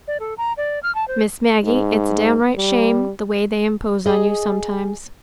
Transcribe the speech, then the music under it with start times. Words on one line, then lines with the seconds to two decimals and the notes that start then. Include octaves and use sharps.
"Miss Maggie, it's a downright shame--the way they impose on you sometimes."
0.08 D5
0.20 A4
0.38 A#5
0.57 D5
0.83 F6
0.95 A5
1.08 C5
1.64 G#2
2.57 G3
4.06 G#4 D#5